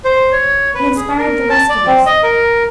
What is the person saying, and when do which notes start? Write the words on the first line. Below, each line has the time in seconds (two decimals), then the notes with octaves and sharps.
It inspired the rest of us.
0.05 C5
0.32 C#5
0.75 B4
0.96 G#4
1.18 A#4
1.50 A5
1.69 D5
1.87 C4
2.06 D#5
2.23 A#4